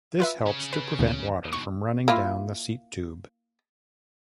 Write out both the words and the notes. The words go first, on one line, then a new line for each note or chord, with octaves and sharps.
This helps to prevent water from running down the seat tube.
F4 B4 E5
C#3 C#4
B4
D2 B2 E3
D#2 B2 C#6
A#3 E4 F4